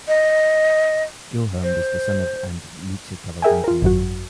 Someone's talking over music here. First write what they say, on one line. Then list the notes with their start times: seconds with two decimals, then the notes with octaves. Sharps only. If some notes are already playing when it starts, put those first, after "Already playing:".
Guilherme was the son of and Luzia Cavalcante Melo.
0.08 D#5
1.63 C5
3.42 G#4 A#4 E5 G5 G#5
3.64 F4 A#4
3.82 G#1 F#2 F#3 F#4